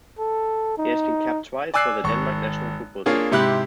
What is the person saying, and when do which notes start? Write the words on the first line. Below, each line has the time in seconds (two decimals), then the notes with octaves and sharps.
He has been capped twice for the Denmark national football team.
0.19 A4
0.78 D#4
1.74 D5 G#5 D6 E6 F#6 C7
2.04 G#1 C#6
3.06 A#3 D4 F4 G#4 C#5
3.31 G#2 C3 E4 G4 B5 F#6